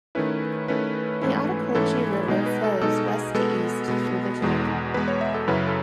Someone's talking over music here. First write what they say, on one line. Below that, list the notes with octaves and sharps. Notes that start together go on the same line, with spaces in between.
The Ottauquechee River flows west to east through the town.
D#3 A3 C#4 E4 B4
D#3 A3 C#4 E4 B4
G#2 E3 A3 C#4 E4
G#2 E3 A3 C#4 E4 A4
B2 G#3 D#4 G#4
B4
A4
B2 G#3 D#4 A4
G#4
B2 G#3 B3 A4
B2 G#3 B3
E2 B2 G#3 B3
E2 B2 G#3 B3 B4
C#5
E5
A4
F#2 C#3 F#3 C#4 E4 B4
A4